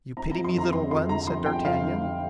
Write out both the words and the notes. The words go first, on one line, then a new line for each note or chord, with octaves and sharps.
"You pity me, little one?" said d'Artagnan.
C4 A#5
F3 A#5
C6
F2 A#5
C4 C6
F2 C6
D3 A#5
F3 C6
F2 G5
F2 F5
D3
D3